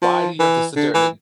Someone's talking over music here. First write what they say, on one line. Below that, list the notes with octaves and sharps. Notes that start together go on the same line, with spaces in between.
Why do you have to sit there and then
F3
E3
D3
E3